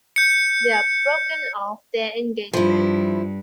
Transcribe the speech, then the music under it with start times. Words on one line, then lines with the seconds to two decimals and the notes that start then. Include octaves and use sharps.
They've broken off their engagement.
0.16 G6 C#7
2.53 G2 F3 E4